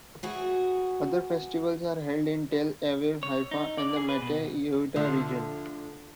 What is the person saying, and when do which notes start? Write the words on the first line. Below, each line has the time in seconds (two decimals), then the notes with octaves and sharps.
Other festivals are held in Tel Aviv, Haifa and the Mateh Yehuda region.
0.23 E3 F#4 G#4
3.23 C#5
3.51 D#4
3.78 D5
3.96 G#4
4.09 B4
4.22 B2
4.96 D3 F3 A3